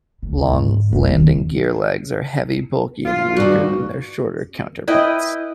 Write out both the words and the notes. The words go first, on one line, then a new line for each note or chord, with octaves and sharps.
Long landing gear legs are heavy, bulky, and weaker than their shorter counterparts.
D2
G#2
E1
D#2
F4
G2 D#3 F#4
E4 B4 D#5 G5